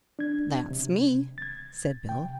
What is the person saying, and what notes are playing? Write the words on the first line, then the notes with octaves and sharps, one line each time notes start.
"That's me!" said Bill.
D4 G#6
C3
G#6 A6
C3 G5